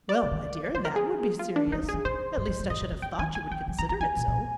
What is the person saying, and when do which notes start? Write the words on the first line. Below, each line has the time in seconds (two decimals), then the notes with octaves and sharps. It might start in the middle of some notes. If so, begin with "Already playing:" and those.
"Well, my dear, that would be serious; at least I should have thought you would consider it so."
0.09 D5
0.23 C3
0.31 D3
0.41 D#3
0.74 F3 C5
0.85 A#4
0.96 G#4
1.39 F4
1.56 D4
1.67 D3
1.72 D#3 D#4
1.83 D#3
1.89 G#4
1.94 D3
2.05 C3 C5
2.37 G#2
2.48 G2
2.59 G2
2.70 G#2 D#5
2.81 A#2
2.92 C3
3.02 D3 G5
3.19 D#3 G#5
3.35 F3 G#5
3.51 D#3 G5
3.68 F3
3.79 D#3 A#5
3.89 D#3 A#5
4.00 D#3 G#5
4.17 A#2
4.28 A#2